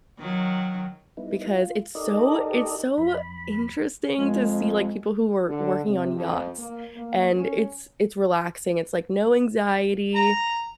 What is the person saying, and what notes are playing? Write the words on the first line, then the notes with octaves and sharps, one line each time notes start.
because it's so it's so interesting to see, like, people who were working on yachts and it's it's relaxing, it's like no anxiety,
D#3 F#3
G3 B3 D#4 E4
F4
D#4 G4 A4 A#4 D5 D#5
F2 B5
F2 G#3
D3
C3
F2
A#3
A#3
C#4
A#5